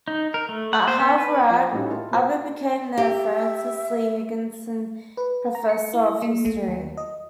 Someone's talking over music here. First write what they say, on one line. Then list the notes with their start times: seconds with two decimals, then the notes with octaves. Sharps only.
At Harvarard Abbott became the Francis Lee Higginson Professor of History.
0.08 D#4
0.34 A#4
0.49 A3
0.73 F#5
0.88 C5
1.00 B3
1.18 B4
1.50 F3
1.72 A2 G3 C#4 D#4 E4 F#4
1.90 E4 F4 A#4 A5
2.11 B2 F4 C5 F#5 G5 B5
2.98 G4 E5
5.17 B4
5.55 A#5
5.69 C#7
5.93 E4
6.22 A#3
6.45 A3
6.69 D#2
6.97 D#5